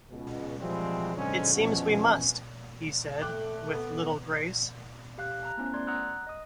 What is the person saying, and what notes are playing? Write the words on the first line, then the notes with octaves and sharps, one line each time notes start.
"It seems we 'must,'" he said, with little grace.
C#2 B2
E3 F3 G3 G#3 C4 F#4
G#2 D3 F#3 G#3 C4 C#4
E2 B2 F3 C#4
A3 A4 G5 D6 F#6
B3
G4 F5 F#6 G6
A5 A#5 F#6
A3 B3 C#4 E4 C5
A3 D5 C6 G#6
F#5 A#5 D#6 E6 F#6
D#5 D#6